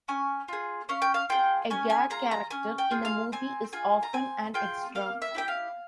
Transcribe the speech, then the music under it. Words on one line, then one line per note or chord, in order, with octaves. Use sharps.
A "gag" character in a movie is often an extra.
C#4 G#5
F4 G#4
C#4 F5
G5
F5
F4 G#4 G5
C#4 G#5
G#5
F4 G#4 A#5
A#5
C#4 G#5
G5
F4 G#4
F5
C4 G#5
F4 G#4 G#5
A#5
C4 G#5
F4 G#4 G5
A#3 F5
E5
E4 G4 G5
F5